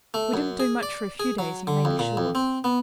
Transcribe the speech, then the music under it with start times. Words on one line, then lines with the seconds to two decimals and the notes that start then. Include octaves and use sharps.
We didn't do much for a few days, you may be sure.
0.14 A3
0.34 F#2
0.60 G#4
0.83 D5
1.20 G#4
1.39 F#3
1.67 D3
1.85 F2
1.99 A#2
2.17 F2
2.35 C4
2.64 B3